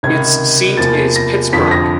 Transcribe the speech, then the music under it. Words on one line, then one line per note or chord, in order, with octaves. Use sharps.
Its seat is Pittsburg.
C#2 C3 D#3 G#6
E2 C3 F3 A#3 A6
A#6
F2 D3 F3 B6
A#6